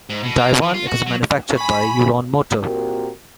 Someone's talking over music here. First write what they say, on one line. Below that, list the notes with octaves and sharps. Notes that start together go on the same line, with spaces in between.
In Taiwan it is manufactured by Yulon Motor.
G#2
B2
A#3
E3
F4
F#4
F#3
G#5 B5 C#6
A#2 C4 F#4 G4 A#4